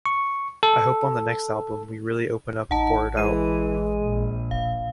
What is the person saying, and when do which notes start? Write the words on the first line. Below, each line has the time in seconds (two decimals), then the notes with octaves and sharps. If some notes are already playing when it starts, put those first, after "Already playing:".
I hope on the next album we really open up and pour it out.
0.06 C#6
0.63 A4
2.71 A1 D#4 F#5 A5
3.17 E3 G#3 D#7
4.02 A#1
4.51 E1 F5